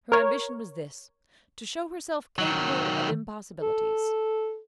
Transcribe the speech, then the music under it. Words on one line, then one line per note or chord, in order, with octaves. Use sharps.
Her ambition was this--to show herself capable of impossibilities.
A#4 C#5
D#3 F#3
A4